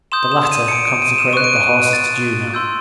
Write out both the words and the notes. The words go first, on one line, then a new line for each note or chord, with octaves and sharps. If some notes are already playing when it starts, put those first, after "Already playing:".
The latter consecrated the horses to Juno.
C6 D#6 G6 E7
E7
E7
D#7
C#7
D7
D7
D#7
E7
C#6 F#6 D#7
D7
D#7
A6
C6 E6 G6